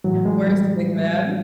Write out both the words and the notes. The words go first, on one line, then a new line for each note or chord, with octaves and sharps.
worst wingman,
A2 E3 F#3
G#3
G3